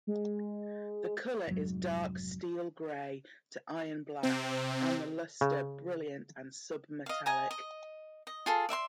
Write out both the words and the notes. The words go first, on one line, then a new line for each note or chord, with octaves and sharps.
The color is dark steel-grey to iron-black, and the luster brilliant and submetallic.
G#3
F1 G#2 F#3
C3 C4
C#3
D#5 F5
D#5 G#5 A#5
D#5
D#5
F4 G#4 A4
D5 E5 F5 C6